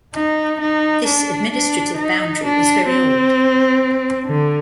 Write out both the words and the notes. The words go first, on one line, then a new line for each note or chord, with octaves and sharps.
This administrative boundary is very old.
D#4
D#4
D4
D4
D#4
D4
C4
D3